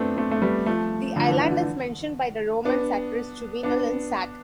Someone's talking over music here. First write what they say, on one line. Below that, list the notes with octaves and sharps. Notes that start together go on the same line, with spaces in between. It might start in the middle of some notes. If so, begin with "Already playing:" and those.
The island is mentioned by the Roman satirist, Juvenal, in Sat.
Already playing: A3 B3 C4 D4
A3 C4
A3
G3 B3
F3 A3
D3 F3
E3
D3
B3 D4
B3 D4